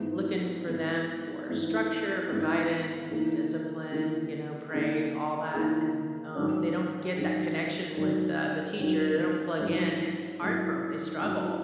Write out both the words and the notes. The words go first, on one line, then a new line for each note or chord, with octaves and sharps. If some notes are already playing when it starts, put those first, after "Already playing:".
looking for them for structure, for guidance, discipline, you know, praise, all that, and, uh, they don't get that connection with the the teacher, they don't plug in, it's hard for 'em, they struggle.
Already playing: G#2 E3 B3 E4
G#2 E3 B3 E4
G#2 E3 B3 E4
G#2 E3 B3 E4
C#3 E3 A#3 D#4
C#3 E3 A#3 D#4
C#3 E3 A#3 D#4
C#3 E3 A#3 D#4
G#2 D#3 F#3 C#4
G#2 D#3 F#3 C#4
G#2 D#3 F#3 C#4
G#2 D#3 F#3 C#4
G#2 F#3 C#4 E4
G#2 F#3 C#4 E4
G#2 F#3 C#4 E4